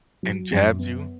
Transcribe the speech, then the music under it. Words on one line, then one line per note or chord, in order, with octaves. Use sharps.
And jabs you.
F#3
F#2
B3